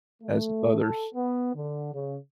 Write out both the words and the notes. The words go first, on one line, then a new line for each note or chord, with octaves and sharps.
as others,
A3
A4
B3
D3
C#3